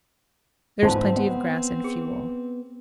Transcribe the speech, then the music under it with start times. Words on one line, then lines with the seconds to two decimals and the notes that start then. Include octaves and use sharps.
There is plenty of grass and fuel.
0.82 G#2 D3 E3 C4 F4 C5 A5
1.16 B3
1.84 G#4